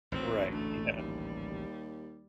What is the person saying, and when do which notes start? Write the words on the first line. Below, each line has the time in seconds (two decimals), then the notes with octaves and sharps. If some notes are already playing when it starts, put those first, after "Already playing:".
Right. Yeah.
0.12 A1 D2 G#2 F#3 C4
0.52 D3 A3
0.98 D#2 G3